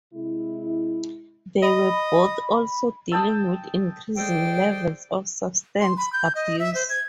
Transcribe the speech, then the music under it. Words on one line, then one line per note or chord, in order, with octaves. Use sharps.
They were both also dealing with increasing levels of substance abuse.
C3 G#3 E4
D#5 B5
D#5 G5 A5 E6
G#4 A4 C5 D5 D#5 G5
C6
B5
G6
D#5
E5
C5
G#6